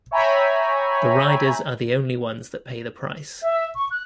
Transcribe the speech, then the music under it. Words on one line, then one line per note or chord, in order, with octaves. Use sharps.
The riders are the only ones that pay the price.
C#5 E5 G5 G#5 A#5 B5
E5
C#6
F#6